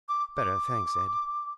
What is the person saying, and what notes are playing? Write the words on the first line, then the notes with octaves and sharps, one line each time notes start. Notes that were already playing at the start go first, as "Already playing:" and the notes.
"Better, thanks, Ed."
D6
D6